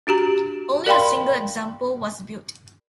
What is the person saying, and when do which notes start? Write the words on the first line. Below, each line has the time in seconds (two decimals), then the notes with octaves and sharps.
Only a single example was built.
0.07 D4 F#4 G4 A#5
0.86 A#4 D5 F5 G5 B5 C6